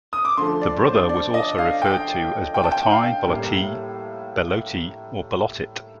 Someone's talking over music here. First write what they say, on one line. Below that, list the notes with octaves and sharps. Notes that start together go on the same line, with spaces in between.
The brother was also referred to as "Belloti", "Belloty", "Beloty", or "Bellottit".
D#6
D6
D3 F3 A3 C6
D5
C5
D5
D#5
F5
G5
G5
A5
G5
F5
A2 G3 A#3